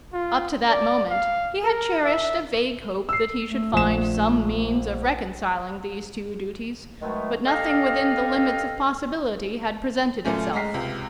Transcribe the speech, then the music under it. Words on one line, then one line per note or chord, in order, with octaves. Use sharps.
Up to that moment he had cherished a vague hope that he should find some means of reconciling these two duties, but nothing within the limits of possibility had presented itself.
F4
D5
F5
A#4
E5
E6 C7
A3
A#1 E7
B2 D#3 F#3 G#3 A3
G4 A4 D#5 F5
F#2 A#2 A3 C#4
G#3 A#5 F6 B6 C7
C#2 C3